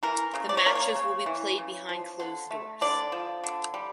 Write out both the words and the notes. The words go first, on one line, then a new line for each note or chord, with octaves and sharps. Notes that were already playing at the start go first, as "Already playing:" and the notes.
The matches will be played behind closed doors.
E3 A#4
C#3
D5
C#5
A#3 A#4
C#5
C#3
E3
C#3
F3
D3
A3
D3 D5
F3
D3
G3